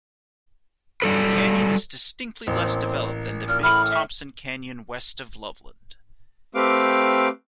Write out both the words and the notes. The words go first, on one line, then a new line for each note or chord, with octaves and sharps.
The canyon is distinctly less developed than the Big Thompson Canyon west of Loveland.
F#3 G3 A4 B4
A1 A#3 C4
A#2 F6
A2 B5 F6
E5
A3 C4 G4 B4 F5 D6